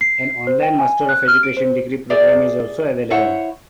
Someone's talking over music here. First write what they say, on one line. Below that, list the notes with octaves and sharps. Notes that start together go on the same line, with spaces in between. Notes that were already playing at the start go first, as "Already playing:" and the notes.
An online Master of Education degree program is also available.
C7
C5
G5
G#5
F#6
F6
D7
C5
G4 G#4 D5 E5
E4 C5 C#5 E5 F#5